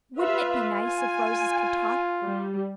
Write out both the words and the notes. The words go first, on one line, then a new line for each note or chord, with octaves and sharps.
Wouldn't it be nice if roses could talk?
F4 B4 E5 F5
G#5
G3